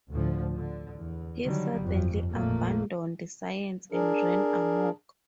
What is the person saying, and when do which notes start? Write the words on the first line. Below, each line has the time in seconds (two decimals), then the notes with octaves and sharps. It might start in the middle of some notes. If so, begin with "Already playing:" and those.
He suddenly abandoned science and ran amok.
0.12 D2 A2 D3 F3
0.54 D3
0.96 E2
1.44 D3 D#3 F#3 G3
1.80 G1 F2
2.32 A1 F2 A#2 A3 A#3
3.92 D4 G#4 A#4